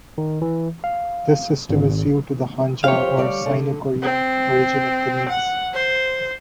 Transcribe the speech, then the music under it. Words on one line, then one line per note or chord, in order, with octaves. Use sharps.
This system is due to the hanja or Sino-Korean origin of the names.
D#3
E3
F5
G#1
F2 G4 C5 C#5 F5
D2 G3 D5
D3
C4
F#5
C5